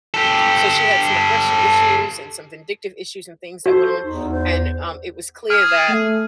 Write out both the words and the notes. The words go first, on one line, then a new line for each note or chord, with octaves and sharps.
So, she had some aggression issues and some vindictive issues and things that went on, and, um, it was clear that
G4 A4
F#4 A4 C5
E2 D#4
C5
G#4 F6
A3